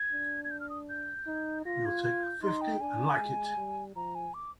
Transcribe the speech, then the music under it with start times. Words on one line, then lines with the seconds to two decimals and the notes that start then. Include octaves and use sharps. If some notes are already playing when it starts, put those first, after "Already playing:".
You'll take fifty and like it!
Already playing: G#6
0.12 D4
0.44 G#6
0.51 G6
0.60 F6
0.70 D#6
0.89 G6
1.27 D#4
1.65 F4 A#6
1.85 G#6
2.04 G#6
2.23 G6
2.42 D#4 C6
2.61 G5
2.80 D4 G#5
3.18 G#3
3.57 G3
3.96 F3 A#5
4.15 G#5
4.34 D6